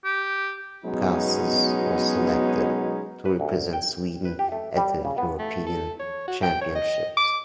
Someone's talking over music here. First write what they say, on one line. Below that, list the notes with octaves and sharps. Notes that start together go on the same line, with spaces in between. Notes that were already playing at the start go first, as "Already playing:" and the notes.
Castles was selected to represent Sweden at the European Championships.
G4
B2 F#3 G#3 B3 C#4 D#4
B4
D2
G5
B4
G4
A3
G3
C#3
B3
A3
A4
C#5
F#4
G5
C#5
D#5
D6